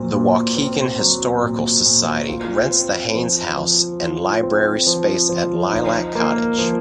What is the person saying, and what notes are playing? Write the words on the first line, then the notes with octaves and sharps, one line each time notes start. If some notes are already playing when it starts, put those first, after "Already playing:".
The Waukegan Historical Society rents the Haines House and library space at Lilac Cottage.
Already playing: A#2 F#3 C4
A#2
C4
F#3
A#2
A#2
F4
C4
F3
F3
F4
C4
F3
F3
D#4
A#3
F3